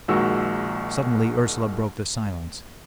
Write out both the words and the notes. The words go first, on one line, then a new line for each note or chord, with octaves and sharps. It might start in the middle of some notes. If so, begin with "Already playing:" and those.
Suddenly Ursela broke the silence.
A#1 D#3 G#3 F#4 E6